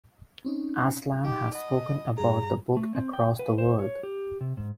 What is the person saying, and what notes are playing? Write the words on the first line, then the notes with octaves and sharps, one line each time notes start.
Aslan has spoken about the book across the world.
C4 C#4 D#4
D#4 G4
D#5 F#5 A5 B5
G2 G#4 A#5
A3
C4
G5
B4
C5
C#5
G4
C3
G#2